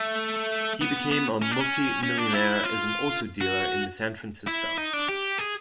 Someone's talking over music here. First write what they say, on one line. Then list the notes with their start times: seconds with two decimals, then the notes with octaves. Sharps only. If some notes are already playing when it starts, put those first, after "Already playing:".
He became a multi-millionaire as an auto dealer in San Francisco.
Already playing: A3
0.81 B3
1.11 B3
1.42 C#4
1.51 D4
1.60 C#4
2.03 C#4
2.18 D4
2.34 E4
2.64 F4
3.41 F#4
4.47 E4
4.78 D#4
4.93 D4
5.09 G4
5.38 G#4